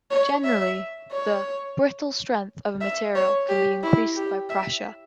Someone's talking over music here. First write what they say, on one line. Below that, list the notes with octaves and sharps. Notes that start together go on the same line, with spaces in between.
Generally, the "brittle strength" of a material can be increased by pressure.
C#5
E5
C#5
E5
C#5
G4
E4
G4
E5